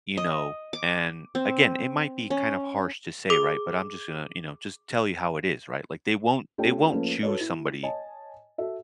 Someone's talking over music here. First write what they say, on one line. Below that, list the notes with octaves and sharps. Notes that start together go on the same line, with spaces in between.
you know, and again, it might be kind of harsh to say, right? But I'm just gonna, you know, just tell you how it is, right? Like, they won't they won't choose somebody
D#5
D6
C4
C#4
G#4 D6
A3 C#4 F4 G4 C#5 G5
F3 A3 A#3 C#4 B4
F#4 A4 B4 C#5
E4
C#5 D#5 G#5 A5
F#4 A4 E5